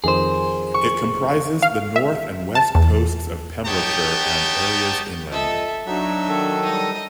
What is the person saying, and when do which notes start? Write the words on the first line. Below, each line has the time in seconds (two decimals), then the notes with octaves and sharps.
It comprises the north and west coasts of Pembrokeshire and areas inland.
0.04 F2 D#3 G#4 C5 D#5
0.74 C#6
1.63 F5
1.96 E5
2.55 A5
2.75 E2
3.67 B3 D#4 G4 C#5 G5 A5
5.31 F3 C4 A4 D#5 E5
5.87 F#3 D4 D#4 E5
6.28 D#3 A4
6.63 G3 D#4 D#5